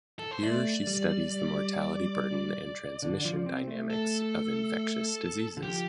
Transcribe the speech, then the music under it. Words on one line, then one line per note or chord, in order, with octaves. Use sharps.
Here she studies the mortality burden and transmission dynamics of infectious diseases.
A4
C5
A3 D5
G3
G3
D3
F3
C4
A3
A4
D3
F3 G4